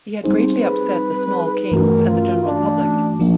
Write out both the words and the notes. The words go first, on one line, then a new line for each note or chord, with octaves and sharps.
He had greatly upset the small kings and the general public.
G3 C4 D#4 G#4 C5
B4
G2 E3 A3 C#4 F#4 A#4
F4
D4
F3 A#3 D4